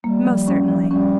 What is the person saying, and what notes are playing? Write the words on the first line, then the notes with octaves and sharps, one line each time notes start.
"Most certainly."
G3 A#3
F3
C#4
F3
G3 C#4